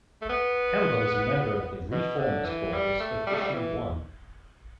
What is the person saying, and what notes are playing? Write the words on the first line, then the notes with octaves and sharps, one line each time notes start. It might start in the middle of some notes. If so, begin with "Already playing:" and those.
Campbell is a member of the ReFormers Caucus of Issue One.
A3
B3
B2
D3
E3
G3
A3
G3
A3
G3
E3